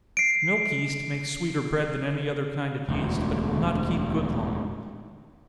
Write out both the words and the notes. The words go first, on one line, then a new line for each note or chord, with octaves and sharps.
Milk yeast makes sweeter bread than any other kind of yeast, but it will not keep good long.
C7 D7
E1 D2